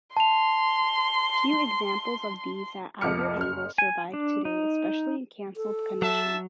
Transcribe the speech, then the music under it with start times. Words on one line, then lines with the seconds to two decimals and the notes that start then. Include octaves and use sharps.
Few examples of these, at either angle, survive today, especially in cancelled condition.
0.17 A5 C6 F7
3.01 C2 F2 F3 D6 F6 C#7
3.37 F#1 F6
3.78 G#5
4.13 D4
4.45 D#4
5.56 A4
6.02 F#3 E5 A5